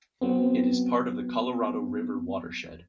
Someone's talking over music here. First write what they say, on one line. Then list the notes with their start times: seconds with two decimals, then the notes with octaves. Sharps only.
It is part of the Colorado River watershed.
0.22 F#3 B3 C4